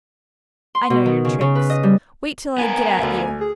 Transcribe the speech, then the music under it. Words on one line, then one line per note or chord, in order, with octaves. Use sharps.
I know your tricks! Wait till I get at you!
C6
B2
D#3
C#3
C#3
B4
D#5
G3
B3 A#4 G#5
D2
G#4